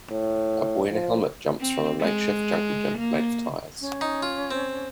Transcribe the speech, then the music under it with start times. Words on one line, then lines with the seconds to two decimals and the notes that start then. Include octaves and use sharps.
A boy in a helmet jumps from a makeshift junglegym made of tires.
0.11 A2
0.90 F3
1.60 C4
2.01 G#3
2.97 A#3
3.81 C#4
4.01 D#4
4.23 F4
4.51 C4